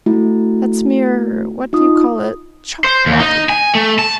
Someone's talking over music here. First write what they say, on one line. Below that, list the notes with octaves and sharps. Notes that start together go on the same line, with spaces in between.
That's mere--what do you call it?--chop logic.
A3 E4 F#4
D#4 F4 D#6
C5
D#2
D#4
G#5
A3
A5